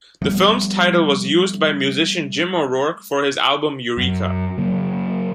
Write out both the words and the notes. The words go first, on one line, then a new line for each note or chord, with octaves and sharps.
The film's title was used by musician Jim O'Rourke for his album "Eureka".
F3 G3 A3 B3
F#2
C#3 F#3 A#3